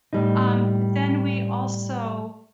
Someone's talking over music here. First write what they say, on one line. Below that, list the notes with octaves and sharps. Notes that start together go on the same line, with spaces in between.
um, but then we also,
A2 G3 D#4